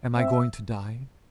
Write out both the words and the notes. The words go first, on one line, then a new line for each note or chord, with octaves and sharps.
Am I going to die?
C4 E5